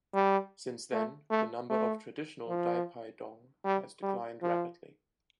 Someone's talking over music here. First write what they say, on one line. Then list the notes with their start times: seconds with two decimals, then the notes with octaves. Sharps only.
Since then, the number of traditional "dai pai dong" has declined rapidly.
0.14 G3
0.92 A3
1.30 A3
1.70 A3
2.48 F3
3.65 G3
4.03 G3
4.43 F3